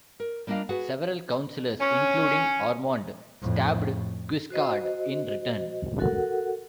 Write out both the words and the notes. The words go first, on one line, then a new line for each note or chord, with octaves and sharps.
Several Councillors, including Ormonde, stabbed Guiscard in return.
A#4
G3 A#3 D4 F4 D#5 F5
F#4 G#4 B4 F#5
C#4
F2 A2
F#4 C5 D#5
F#4 A4 A#4 F#5